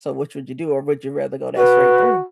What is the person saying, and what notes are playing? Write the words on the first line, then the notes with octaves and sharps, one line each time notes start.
So, which would you do, or would you rather go that straight through?
F#4 B4